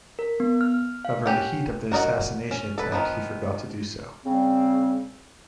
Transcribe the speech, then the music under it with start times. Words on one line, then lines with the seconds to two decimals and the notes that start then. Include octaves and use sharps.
However, in the heat of the assassination attempt, he forgot to do so.
0.19 A#4
0.40 B3
0.61 F6
1.05 F5
1.26 C#4 G4 F#5
1.92 F#4 A#4 D5 D#5 F#5
2.51 C#4
2.78 A4 B4
2.92 D#3 F3 B3
4.25 C#3 G3 C4